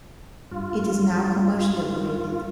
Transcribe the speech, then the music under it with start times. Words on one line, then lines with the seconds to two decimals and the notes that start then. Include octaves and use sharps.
It is now commercially operated.
0.51 G2 F4